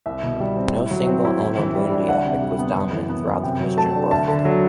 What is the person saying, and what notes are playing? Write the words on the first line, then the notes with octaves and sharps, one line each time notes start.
No single "Anno Mundi" epoch was dominant throughout the Christian world.
C2 E5
B2
G3
C4
A2
F#3
C4
E4
A2
E3
G3
D4
D2 F#5
C3
G3
B3
F#2
E3
B3
F#2
C3 G5
F#3
A3 A5
D4
D2 A5
D3
F#3